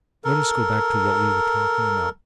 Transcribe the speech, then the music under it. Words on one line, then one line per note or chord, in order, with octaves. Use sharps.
Let us go back to what we were talking about.
A4 A#4